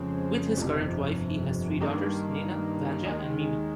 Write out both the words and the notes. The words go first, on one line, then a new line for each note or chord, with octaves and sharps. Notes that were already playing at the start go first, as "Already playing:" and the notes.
With his current wife, he has three daughters: Nina, Vanja, and Mimi.
Already playing: F2 C#3 G#3 C4
G1 F2 C3
G2 D#3 A#3
D#2 D#3 G#3